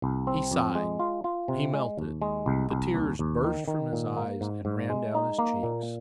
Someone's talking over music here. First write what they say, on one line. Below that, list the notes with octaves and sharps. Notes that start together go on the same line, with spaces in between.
He sighed; he melted; the tears burst from his eyes and ran down his cheeks.
C2
C4
F2
G#3
F4
F4
C3
G#3
D#2
G#3
C2
C2
D#2
D#2
D#3
D#3
A#2
A#3
G#2
G#2
G#3
D#4
A#3
A#2